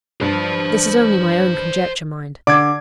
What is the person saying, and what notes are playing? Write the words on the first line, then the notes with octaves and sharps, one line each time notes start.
This is only my own conjecture, mind.
G2 C5 A5
D3 D5 D6 G#6